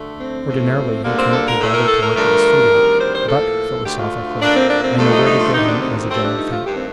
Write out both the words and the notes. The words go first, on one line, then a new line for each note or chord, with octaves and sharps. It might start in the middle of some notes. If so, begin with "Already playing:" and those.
Ordinarily he cannot be bothered to work at the studio. But"--philosophically--"I know where to get him as a general thing.
Already playing: D2 D3 A3
C4
A2 F3 A3
D2 D3 G3 A#3
C4
A4
A#4
A2 A3
A#4
A4
A#4
G2 D3 F3 A3 A#4
D2 C3 D#3 G3
C5
C5
A2 F3 A#3 A4
D2 D3 A3 G4
F4
A#2 A3 D4
C4
D4
C4
G2 D3 F3 A3
D#4
D#4
F4
D2 C3 D#3 A3 D#4
D4
C4
C4
G2 F3 A3 C4
D4
D#4
F4
G2 D#3 A3 G4
C4